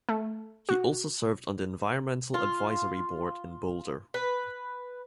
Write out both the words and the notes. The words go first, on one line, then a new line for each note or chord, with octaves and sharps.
He also served on the Environmental Advisory Board in Boulder.
A3
F#4
F4
B4